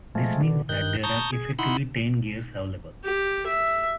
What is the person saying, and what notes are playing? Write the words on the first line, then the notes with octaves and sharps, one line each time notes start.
This means that there are effectively ten gears available.
F3 G#3 A3
B2 D3
G2 D#3 F#6 G6
A5 A#5 C#6 D#6 G6
G#4
D#4 E4 F#5 B5 C6
G4
E5